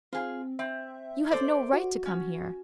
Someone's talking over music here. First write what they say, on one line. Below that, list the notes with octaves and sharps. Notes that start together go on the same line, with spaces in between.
You have no right to come here.
C4 F4 G#4
C4 E5
A4 C5 D5
F#4
C#4